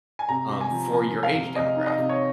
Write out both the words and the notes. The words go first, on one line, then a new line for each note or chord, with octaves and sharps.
um, for your age demographic.
G#5
C3 A#5
C3
G#5
F3
F3
F3
F5
C3
C3 D#5
D#4
D#5
C3
C#5